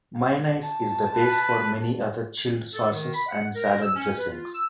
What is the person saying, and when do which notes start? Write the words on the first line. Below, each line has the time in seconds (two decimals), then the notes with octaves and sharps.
Mayonnaise is the base for many other chilled sauces and salad dressings.
0.63 A5
1.15 B4
2.74 A4
2.90 D#3
3.14 B5
3.29 F#5
3.55 A#4
3.81 E6
3.95 C#4
4.18 B4
4.30 F4
4.55 E6